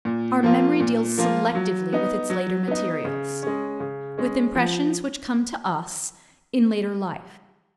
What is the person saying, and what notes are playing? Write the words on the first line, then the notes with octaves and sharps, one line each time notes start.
Our memory deals selectively with its later materials, with impressions which come to us in later life.
A#2
F3 A#3 F4
A#2
F3 A#3 F4
F#3
B3 D#4
F#3
B3 D#4
C#3
G#3 C#4
C#3
G#3 C#4
F3